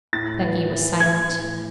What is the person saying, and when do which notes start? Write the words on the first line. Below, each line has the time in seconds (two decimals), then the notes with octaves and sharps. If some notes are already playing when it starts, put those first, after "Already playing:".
Becky was silent.
0.13 A2 A6
0.42 E3
0.71 E3
1.00 E3 G#6
1.29 A2